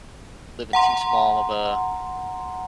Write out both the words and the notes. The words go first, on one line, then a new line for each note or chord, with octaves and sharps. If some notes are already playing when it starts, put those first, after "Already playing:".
you live in too small of a
F#5 A#5 C6